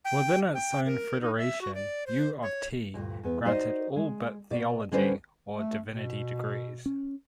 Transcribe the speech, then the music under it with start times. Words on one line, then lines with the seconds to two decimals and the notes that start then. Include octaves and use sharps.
Within its own federation, U of T granted all but theology or divinity degrees.
0.05 G5
0.54 G5
0.86 A#4
1.21 D#4
1.37 E5
1.61 F#4
1.75 D5
2.07 C5
2.42 C#5
2.94 D2 G2 A#2
3.23 E2 B3
3.45 D#4 F#4 C5 D5 D#5
3.96 G#3
4.51 B2 D5
4.92 D3 G3 C#4 D4 B4 C5
5.57 A3
5.91 B2
6.86 C#4